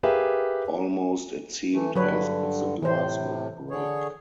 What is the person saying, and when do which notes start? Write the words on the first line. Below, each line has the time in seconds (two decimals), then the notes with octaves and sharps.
Almost it seemed as if the glass would break.
0.03 G4 G#4 A#4 B4 E5 F5
1.73 E3 A3
1.96 G2 D3 F#3 B4 C#5
2.82 A2 C3 E3 C5
3.71 D3 G#4 C#5